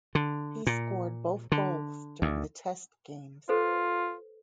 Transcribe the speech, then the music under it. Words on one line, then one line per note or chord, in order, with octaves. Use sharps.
He scored both goals during the test games.
D3
A#2
D3
D2
F4 A4 B4 C5